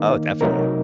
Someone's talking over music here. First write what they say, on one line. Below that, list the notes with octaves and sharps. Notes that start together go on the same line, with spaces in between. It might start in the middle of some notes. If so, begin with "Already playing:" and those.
Oh, definitely.
Already playing: D#3 A#3 D#4
C3 F#3 A3 D#4 A#4